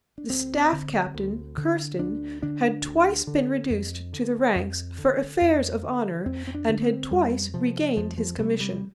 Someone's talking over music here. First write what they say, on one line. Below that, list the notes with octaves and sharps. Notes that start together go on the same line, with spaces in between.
The staff captain, Kirsten, had twice been reduced to the ranks for affairs of honor and had twice regained his commission.
D4
D2 C4
D3
D2
D3
D2 D4
D3 D4
D2
D3
F2
D3
F2
D3
F2
D3
F2 C4
C4
D4
D3
C4
F2 G3
C3 F3
F2 F3
F3
C3 G3
G3